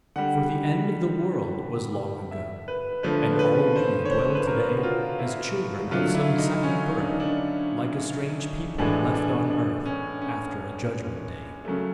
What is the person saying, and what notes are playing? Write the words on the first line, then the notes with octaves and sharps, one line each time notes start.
For the end of the world was long ago, And all we dwell to-day As children of some second birth, Like a strange people left on earth After a judgment day.
D3 G3 F#5
E5
B4
D3 F3 A3 B4
B4
C5
C#5
C5
B4
A#4
F#4
F4
E4
D3 F#3 A3 F4
E4
D#4
C#4
D4
D#4
D4
A2 E3 G#3 D4
D4
D4
C#4
C#4
C#3 F#3 A3